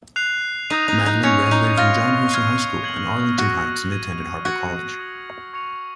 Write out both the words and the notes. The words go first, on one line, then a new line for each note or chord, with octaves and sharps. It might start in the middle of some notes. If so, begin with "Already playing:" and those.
Matlin graduated from John Hersey High School in Arlington Heights and attended Harper College.
F#6 C7 F7
D#4 D#6 A#6 D#7
D#4
D#4
C#4 C#6 G#6 C#7 F7
D#4
F4 F6 A#6 F7
F6 G#6 C7 D#7
G#6 C7 F#7
F#4 F6 A#6 D#7
G#6 D#7 F#7
F#4 G#6 C#7 F#7
D#6 A#6 D#7 F#7
C#6 G#6 C#7 F7